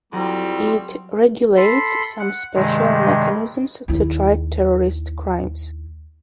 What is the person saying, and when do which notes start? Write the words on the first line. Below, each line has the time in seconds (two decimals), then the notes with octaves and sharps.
It "regulates some special mechanisms to try terrorist crimes".
0.13 F2 F#3 G3 C4 E4 F#4 A#5
1.57 A4 B5 C6
2.20 F#5
2.54 G2 C3 D#3 G#3
3.88 D#2 E4